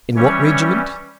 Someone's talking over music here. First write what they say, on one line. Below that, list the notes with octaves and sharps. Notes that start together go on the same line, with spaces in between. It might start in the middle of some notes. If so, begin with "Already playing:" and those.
In what regiment?
E3 G3 C#4 C#5